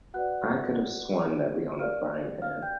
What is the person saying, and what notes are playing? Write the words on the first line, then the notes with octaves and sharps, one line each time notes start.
I could have sworn that we own a frying pan.
F#4 B4 D5 F#5 F#6
G4 A#4 D5 F5 F6
F5 F6
G5 G6